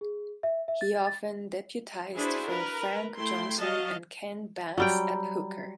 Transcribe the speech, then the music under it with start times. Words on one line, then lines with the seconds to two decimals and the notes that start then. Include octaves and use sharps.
He often deputised for Frank Johnson and Ken Banks at hooker.
0.01 G#4
0.43 E5
0.68 E5
0.81 A6
1.07 A6
2.17 D4 E4 F#4 G#4 B4 C5
2.50 A#4 B4 A#5
3.16 A3 E4 G5 C6
3.58 F#3 F#4 D#5 F5 A5
4.78 F#3 G3 G5